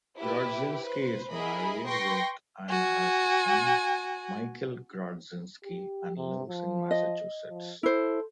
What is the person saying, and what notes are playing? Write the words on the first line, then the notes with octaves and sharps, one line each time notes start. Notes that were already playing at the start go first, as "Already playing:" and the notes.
Grodzinsky is married with and has a son Michael Grodzinsky and lives in Massachusetts.
E4 G4 B4
B4 C5
E4 G#4 A#4 D#5 B5
B4 G5 C6 C#6 A#6
F#4 G#5
G4
C3
F3
D#5
F3
E4 A4 C5